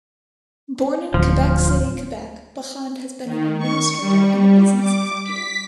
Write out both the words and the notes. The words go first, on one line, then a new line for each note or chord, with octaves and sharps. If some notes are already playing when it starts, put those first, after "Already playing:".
Born in Quebec City, Quebec, Bachand has been an administrator, and a business executive.
D1 F3
D#3
C#6
G3
D6
B6